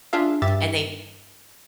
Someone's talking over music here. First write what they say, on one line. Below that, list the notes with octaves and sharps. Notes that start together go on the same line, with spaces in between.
and they
D4 F4 G#4 E5 F5
G2 G4 E5 A6